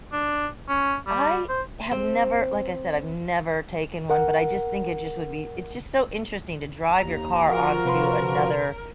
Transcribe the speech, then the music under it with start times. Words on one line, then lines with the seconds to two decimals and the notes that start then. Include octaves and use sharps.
I have never, like I said, I've never taken one, but I just think it just would be it's just so interesting to drive your car onto another,
0.13 D4
0.69 C#4
1.07 G3
1.49 C5
1.91 C4
4.10 A#4 F#5
6.97 D#2 A#5
7.48 F3 F4 F#4 A#4
7.85 C3 B4 C6